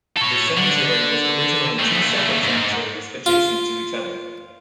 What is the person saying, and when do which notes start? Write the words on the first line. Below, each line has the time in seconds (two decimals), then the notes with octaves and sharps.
The cemetery was originally two separate cemeteries, adjacent to each other.
0.17 A4 C#5
0.57 D3
1.79 D#2 A3
2.43 G#2
3.26 F4